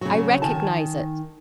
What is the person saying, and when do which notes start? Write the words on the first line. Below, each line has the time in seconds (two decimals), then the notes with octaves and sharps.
"I recognize it!"
0.01 C#3 F#3
0.42 D#3 G#5 A5